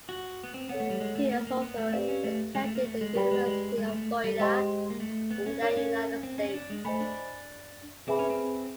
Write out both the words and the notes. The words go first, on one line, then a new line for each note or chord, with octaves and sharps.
He also attended the University of Florida in the United States.
F#4
B3
C4
B3 A4 C#5 F#5
A3
G3
G#3
A3
A#3
A#3
B3
A3
C4 G4 B4 D5 F5
C#4
A3
G#3
A3
A#3
A3
G#3
G3 G4 B4 D5 G5 B5
G#3
G#3
G#3
A#3
A3
G3
G#3 G4 C5 D#5 G5 C6
A#3
A3
B3
C#4
D4 A#4 C#5 F5
C#4
C4
C#4
C#4
D4
G#3
A3 C5 D#5 G#5 B5
D4
C4 G#4 B4 E5 G#5 B5
C#4
C4